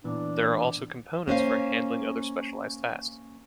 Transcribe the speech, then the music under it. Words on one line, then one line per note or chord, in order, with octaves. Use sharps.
There are also components for handling other specialized tasks.
A#2 E3 B3 D4
A#3 C#4 C5 F5